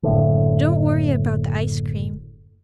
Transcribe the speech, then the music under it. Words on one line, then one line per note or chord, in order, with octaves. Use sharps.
Don't worry about the ice-cream.
F#1 A2 D3